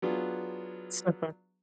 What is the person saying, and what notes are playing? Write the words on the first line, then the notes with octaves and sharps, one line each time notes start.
So far.
F#3 B3 D4 F4 G#4